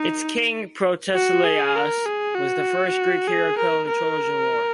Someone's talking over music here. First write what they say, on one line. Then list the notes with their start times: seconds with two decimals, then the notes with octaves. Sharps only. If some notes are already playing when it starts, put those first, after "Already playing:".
Its king, Protesilaus, was the first Greek hero killed in the Trojan War.
Already playing: D#4
1.14 F#4
1.45 G#4
1.76 A#4
2.06 G#4
2.35 F#4
3.28 G#4
3.58 A#4
3.88 A#4